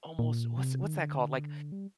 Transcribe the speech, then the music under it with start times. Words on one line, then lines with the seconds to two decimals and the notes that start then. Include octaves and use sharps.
almost what's what's that called? Like
0.19 A#2
0.58 C3
0.84 D#3
0.95 D3
1.72 G3